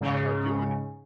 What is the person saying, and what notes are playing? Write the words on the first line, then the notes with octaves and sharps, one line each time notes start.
are are doing it.
G#2 C#3